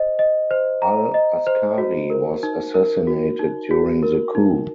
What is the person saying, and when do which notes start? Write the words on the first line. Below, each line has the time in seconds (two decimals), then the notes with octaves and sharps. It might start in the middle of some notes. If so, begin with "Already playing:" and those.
Al-Askari was assassinated during the coup.
Already playing: C5 D#5
0.19 D#5
0.51 C5
0.82 A#5
1.14 D#5
1.47 C5
1.78 F#4
2.10 A#4
2.43 D#4
2.74 A#4
3.07 F#4
3.39 D#4
3.71 F#4
4.03 A#4
4.35 D#4